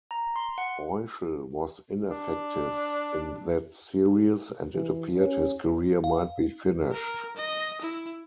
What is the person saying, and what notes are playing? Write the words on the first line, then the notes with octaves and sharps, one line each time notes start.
Reuschel was ineffective in that Series, and it appeared his career might be finished.
A#5
C6
F#5
D4
E3
C#4
F5
A#4
D#5
E4